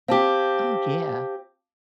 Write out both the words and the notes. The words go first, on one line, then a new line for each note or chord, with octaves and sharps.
Oh, yeah.
C4 G4 F5 A5 D6